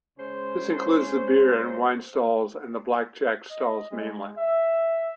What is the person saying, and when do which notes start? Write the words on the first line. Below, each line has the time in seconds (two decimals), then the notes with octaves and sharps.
This includes the beer and wine stalls and the blackjack stalls mainly.
0.18 C#3 G#3 C#4 C5
3.50 D#5
3.91 G#3
4.37 E5